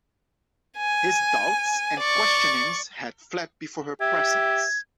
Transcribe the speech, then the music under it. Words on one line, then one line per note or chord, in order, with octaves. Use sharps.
His doubts and questionings had fled before her presence.
G#5
D5 C#6
G4 E5 G#6